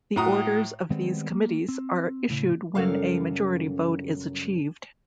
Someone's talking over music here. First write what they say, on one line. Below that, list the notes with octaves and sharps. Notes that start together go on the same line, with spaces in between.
The orders of these committees are issued when a majority vote is achieved.
A2 F#4 A#5 D#6
D#3 G3 G#3 B3 C4
A#3
C4
C2 A2 C#3
F#2 C#3 G3 A4 A#4 F5